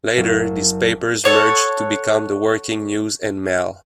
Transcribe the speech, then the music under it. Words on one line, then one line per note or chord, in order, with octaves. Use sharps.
Later, these papers merged to become the 'Woking News and Mail'.
F#1
A4 C#5 F#5